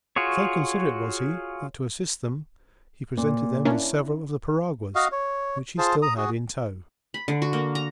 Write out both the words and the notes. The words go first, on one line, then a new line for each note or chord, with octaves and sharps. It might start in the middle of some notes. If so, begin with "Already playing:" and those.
So considerate was he that to assist them he presented them with several of the piraguas which he still had in tow.
F4 F#4 G#4 C#5
A#2
A#3 C#4 D4 E4
F#4 D#5 F5
C#5
F4 G#4 C5 A5
A#5 D#6
F#4 G#4
B5
D3
F#4
A#3
A#5